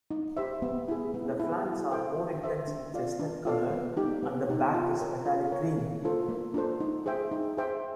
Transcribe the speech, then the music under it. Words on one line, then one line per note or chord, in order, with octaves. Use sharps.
The flanks are more intensely chestnut colored and the back is metallic green.
D#4
G4 C5 E5
B3
E4 G#4
B3
E4 G#4
F#4
A4 C5 E5 G5
F#4
A4 C5 E5 G5
D4
F4 A4 D5 F5
D4
F4 A4 D5 F5
B3
D#4 G4
B3
D#4 G4
F4
A#4 C#5
F4
A#4 C#5
A#3
D4 F4 A4 C5
A#3
D4 F4 A4 C5
D#4
G#4 C5 E5 G5
D#4
G#4 C5 E5 G5